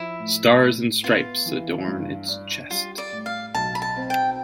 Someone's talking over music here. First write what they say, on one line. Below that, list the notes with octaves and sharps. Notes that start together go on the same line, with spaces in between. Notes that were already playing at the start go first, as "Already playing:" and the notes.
Stars and stripes adorn its chest.
Already playing: F3 E4
A2
A2
B3 F4
E3
G2
D4
G3 F4
D5
A2
F5
B1 A5
B5
A5
C4
G5